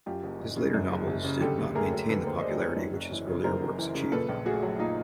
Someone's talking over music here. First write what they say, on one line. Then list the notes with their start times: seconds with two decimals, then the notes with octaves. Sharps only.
His later novels did not maintain the popularity which his earlier works achieved.
0.06 F#2 F4 G4
0.23 F#1
0.40 F#1
0.57 C#3
0.74 F#2
0.91 F#1
1.08 F#1
1.24 C#3
1.41 D3 G4 A4
1.58 D#2
1.75 A3 G#4 A#4
1.92 F#3
2.09 D3 A4 B4
2.26 D#2 A#4 C5
2.38 D#5
2.42 A3 C5 D5
2.60 F#3 B4 C#5
2.77 F#2
2.93 F#1
3.11 E3
3.27 C#3
3.44 F#2 A#4 C5
3.61 F#1
3.78 E3
3.95 C#3
4.12 A#2 A4 B4
4.29 A#1
4.46 A3 F#4 G#4
4.62 F#3
4.79 A#2 D#4 F4